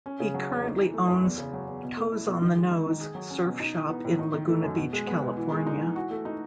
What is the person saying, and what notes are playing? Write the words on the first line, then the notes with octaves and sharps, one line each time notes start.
He currently owns "Toes on the Nose" surf shop in Laguna Beach, California.
C#4
C#3
F#3
E2
D#4
E3
A3
F#2
E2
C#3
F#3
E2
B2
A3
E4
B2
D#3
G#3
D#4
D#3
G#4
F#3
C#4
B2
D#4
E3
B3
A2
D#4
D#3
A3
F#2
B2
G#3
B3
B2
E3
G#3
D#4
E3
F#4
A3
D#4